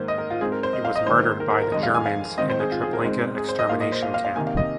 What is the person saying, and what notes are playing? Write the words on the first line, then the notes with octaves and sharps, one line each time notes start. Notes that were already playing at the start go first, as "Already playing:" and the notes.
He was murdered by the Germans in the Treblinka extermination camp.
Already playing: G#2 D#3 A#3 C5
D#5
A#4
F4
G#2 G#3 C4 G#4
A#4
C5
D#5
F5
D#5
G#2 D#3 A#3 C5
A#4
A#4
A#4
F2 D#3 G#3 D#5
F5
G#5
F5
G#2 D#3 C4 D#5
C5
G#4
F4
G#4
A#4
G#2 G#3 C4
G#4
C5
D#5
A#2 A#3 F5
D#5
C5
F5
F5
F5
C3 D#3 A#3 G#5
F5
D#5